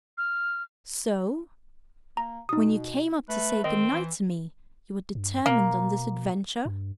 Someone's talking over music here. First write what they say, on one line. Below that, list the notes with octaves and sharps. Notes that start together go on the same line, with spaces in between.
So--when you came up to say good-night to me--you had determined on this adventure?
F6
A#3 A#5
B2 D#4 D#6
A3 B4
D#3 C4 D#5
E3
G2
B2 A#3
G2